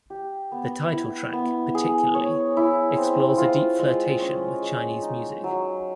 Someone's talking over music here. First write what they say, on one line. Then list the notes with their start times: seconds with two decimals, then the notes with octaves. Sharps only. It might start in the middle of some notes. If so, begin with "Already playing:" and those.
The title track, particularly, explores a deep flirtation with Chinese music.
0.10 G4
0.52 B3
0.93 E4
1.33 B3
1.75 G#4
2.15 C#5
2.57 E4
2.97 C4
3.38 F4
3.79 G#3
4.21 C#4
4.62 G#3
5.02 D#4
5.44 F#3